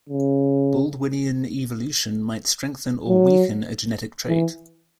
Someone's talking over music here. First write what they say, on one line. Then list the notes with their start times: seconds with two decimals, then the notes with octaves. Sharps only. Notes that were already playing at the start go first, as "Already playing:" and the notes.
Baldwinian evolution might strengthen or weaken a genetic trait.
0.10 C#3
3.08 F#3
4.28 E3